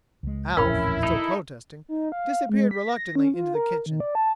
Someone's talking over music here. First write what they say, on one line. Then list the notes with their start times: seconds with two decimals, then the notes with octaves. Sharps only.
Alf, still protesting, disappeared reluctantly into the kitchen.
0.23 C#2 G#3
0.57 D#1 A1 F2 C#4 E4 A#4 G5 B5
1.03 D#4 A4
1.89 D#4
2.12 F5
2.49 G#3
2.71 B6
2.89 A#6
3.15 C#4
3.34 F4
3.55 A#4
3.86 D#3
4.00 D5
4.15 A5